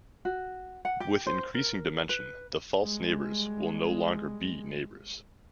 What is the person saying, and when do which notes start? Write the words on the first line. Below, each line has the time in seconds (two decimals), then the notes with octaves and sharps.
With increasing dimension, the false neighbors will no longer be neighbors.
0.25 F#4
0.85 F#5
1.00 G4
1.27 C5
1.54 A#4
2.09 B4
2.79 G3 G#3